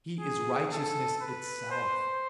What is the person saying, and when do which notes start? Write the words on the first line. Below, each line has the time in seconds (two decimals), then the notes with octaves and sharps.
He is righteousness itself.
0.21 G#4
0.71 A4
1.21 B4
1.71 C5